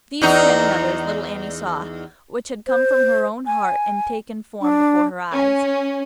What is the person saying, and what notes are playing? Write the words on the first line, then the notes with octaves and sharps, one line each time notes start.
These and many others little Annie saw, which had come from her own heart, and taken form before her eyes.
E2 D#4
C5
G#5
D4
C#4